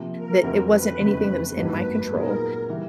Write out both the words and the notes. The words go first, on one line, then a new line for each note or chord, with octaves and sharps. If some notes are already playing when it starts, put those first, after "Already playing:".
that it wasn't anything that was in my control,
Already playing: C3 F3 A#3
A#4
F2 D3 F#3 A3 C4
B4
F1 E2 C#3
G#1 G2 D#3 F#3 A#3 B4
A#2 F#3 B3 D#4 G#4 A#4
E3 G3